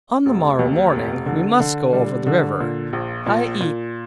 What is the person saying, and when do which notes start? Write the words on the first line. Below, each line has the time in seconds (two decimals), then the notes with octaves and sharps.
On the morrow morning we must go over the river, i.e.
0.26 F1
0.59 D#2
0.92 F1
1.26 D3
1.60 D3
1.93 G3
2.27 D3
2.60 A#2
2.93 A#1
3.26 A#2
3.61 A#2